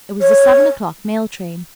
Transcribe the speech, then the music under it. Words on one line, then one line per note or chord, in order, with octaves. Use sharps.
It was the seven o'clock mail train.
C#5